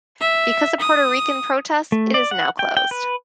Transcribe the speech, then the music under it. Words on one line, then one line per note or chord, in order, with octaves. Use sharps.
Because of Puerto Rican protests, it is now closed.
E5
D#6
A3
D5
F#5
G5
G5
B4